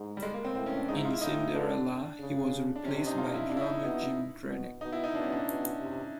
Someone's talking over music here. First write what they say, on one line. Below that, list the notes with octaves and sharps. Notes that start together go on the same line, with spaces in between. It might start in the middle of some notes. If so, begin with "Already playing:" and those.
In Cinderella, he was replaced by drummer Jim Drnec.
Already playing: G#2
G3
G#3
A#3
C4
A2 C4
C#4
D4
G#2 D#4
E4
F4
E4
A2 D#4
D3 D4
C#3
D4
C3 C#4
D4
D#4
F4
E4
D4
E4
D#4
B2 D#4
B2
B2 D#4
E4
D#4
B2 D4
C#4
D4
B2
C3